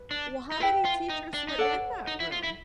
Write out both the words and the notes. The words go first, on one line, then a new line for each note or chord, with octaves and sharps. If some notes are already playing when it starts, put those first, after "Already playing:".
Well, how many teachers were in that room?
Already playing: B4
D4
D#4
E4 B4 E5 G5
F4
D#4
D4
D#4
D4 A4 C#5 F#5
D#4
E4
F4
E4